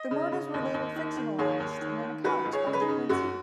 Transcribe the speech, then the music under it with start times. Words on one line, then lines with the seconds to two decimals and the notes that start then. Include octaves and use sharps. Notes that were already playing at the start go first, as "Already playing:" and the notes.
The murders were later fictionalised in an account by De Quincey.
Already playing: D#5
0.11 C#3
0.32 C#3
0.54 D#2
0.74 D#2
0.96 D#3
1.17 D#3
1.38 D#2 G#4 C#5
1.60 D#2
1.81 D#3
2.03 D#3
2.24 C#2 F#4 B4
2.45 C#2
2.52 G#4 C#5
2.66 C#3
2.73 B4
2.80 D#4 G#4
2.88 C#3
3.09 F#2 F#4